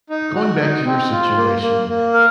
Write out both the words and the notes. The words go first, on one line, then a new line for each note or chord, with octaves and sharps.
going back to your situation,
D#4
F#4
D#4
C4
F4
A#3
A#3
A#3
A#4